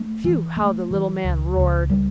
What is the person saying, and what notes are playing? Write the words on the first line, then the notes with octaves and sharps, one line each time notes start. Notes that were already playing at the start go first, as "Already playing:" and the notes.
Phew! how the little man roared.
Already playing: A3
E3
A3
E3
C#2
C#2
G3